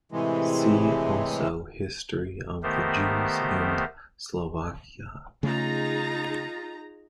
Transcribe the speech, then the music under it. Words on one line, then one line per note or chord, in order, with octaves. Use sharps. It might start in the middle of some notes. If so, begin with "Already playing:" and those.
See also History of the Jews in Slovakia.
A2 C3 E3 G#3
D#3 A3 B3 G4 A#4 C5
C#3 A3 D#4 F4 G#4 A#5